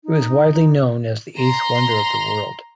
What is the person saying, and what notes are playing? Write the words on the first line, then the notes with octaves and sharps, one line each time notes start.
It was widely known as the "Eighth Wonder of the World".
D#4
A#5 C6